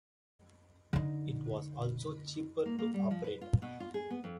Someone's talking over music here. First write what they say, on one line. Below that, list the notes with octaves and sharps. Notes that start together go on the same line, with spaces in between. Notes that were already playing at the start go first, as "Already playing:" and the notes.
It was also cheaper to operate.
D3 D#4
A#3
A#3
G3
F3
B4
F4
B2
F4
G#4
B3
F2